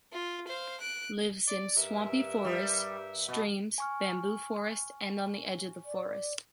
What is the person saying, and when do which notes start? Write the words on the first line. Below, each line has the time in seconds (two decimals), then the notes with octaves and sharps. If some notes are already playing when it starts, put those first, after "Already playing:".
Lives in swampy forests, streams, bamboo forests and on the edge of the forest.
0.12 F4
0.47 C5 F5
0.80 F#6 D7
1.48 D5
1.76 G2 A#4 E5
2.44 G3
3.28 B2
3.78 G#5 C#6 F6
5.85 D5